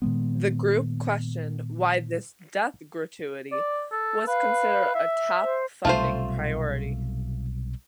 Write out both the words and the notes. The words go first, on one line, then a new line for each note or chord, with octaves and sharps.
The group questioned why this "death gratuity" was considered a "top funding priority".
A#2 D#3 G#3 B3
D5
A4
B4 F5
E5
C5
B1 C3 G3 A3 F4 C5